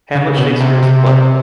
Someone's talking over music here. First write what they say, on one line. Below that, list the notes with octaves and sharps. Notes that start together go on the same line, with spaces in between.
Hamlet Shakespeare's play.
C#3
B2
C3
C3
C3